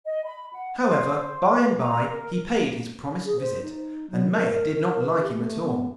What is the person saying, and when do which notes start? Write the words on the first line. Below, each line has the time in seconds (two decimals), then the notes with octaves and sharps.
However, by-and-by he paid his promised visit, and Maia did not like him at all.
0.06 D#5
0.25 B5
0.53 F#5
0.82 C5
1.18 C5
1.55 B4
1.77 A#5
2.11 A#4
3.25 G#4
3.40 C5
3.62 D#4
4.10 F#3
4.34 A#4
4.74 A#4
5.00 B4
5.22 G4
5.36 A3
5.64 B3